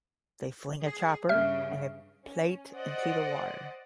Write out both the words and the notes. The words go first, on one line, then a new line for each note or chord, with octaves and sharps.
They fling a chopper and a plate into the water.
G#4
G2 C#3 E5 F6
C#4
C5 D5 D#5 F#5